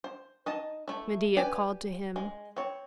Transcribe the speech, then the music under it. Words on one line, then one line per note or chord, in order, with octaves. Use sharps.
Medea called to him.
C5
D#4 D#5 A5
A3 E4
G4 B4 D5 G#5
G#3
C4 C#5